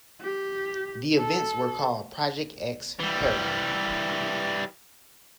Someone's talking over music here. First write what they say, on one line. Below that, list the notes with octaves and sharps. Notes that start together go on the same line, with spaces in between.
The events were called Project X Haren.
G4
A4
E3 G3